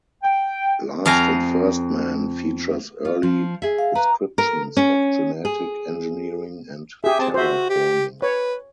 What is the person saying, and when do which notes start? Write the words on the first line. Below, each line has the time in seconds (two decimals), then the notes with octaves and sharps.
"Last and First Men" features early descriptions of genetic engineering and terraforming.
0.23 G5
1.06 F2 F5 G#5 A#5
3.05 F4
3.23 F3
3.62 G#4 E5
3.79 F5
3.96 B4 A#5
4.38 A#4
4.77 C#4
5.45 G#4
7.04 G4 G#4 E5
7.19 C4 A5
7.34 F#4 C5 E5
7.70 G4
8.22 B4 C#5